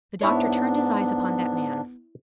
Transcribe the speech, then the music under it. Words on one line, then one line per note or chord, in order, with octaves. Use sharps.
The Doctor turned his eyes upon that man.
G#2 B3 D4 E4 C#5